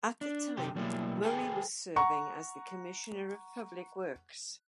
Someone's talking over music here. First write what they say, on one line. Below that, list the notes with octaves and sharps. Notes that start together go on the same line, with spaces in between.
At the time Murray was serving as the Commissioner of Public Works.
D4
F#2 C3 C4 G4
B2 F#3 G3 A#3 C#4 E4
G#4 A4 B4 C5 G5 A5
F#5 A#5 C#6